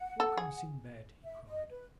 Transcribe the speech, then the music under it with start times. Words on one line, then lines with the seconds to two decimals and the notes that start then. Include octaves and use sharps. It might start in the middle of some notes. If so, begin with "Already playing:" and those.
"Welcome, Sindbad," he cried.
Already playing: F#5
0.20 A4
0.37 G#4
1.23 E5
1.47 D#5
1.69 B4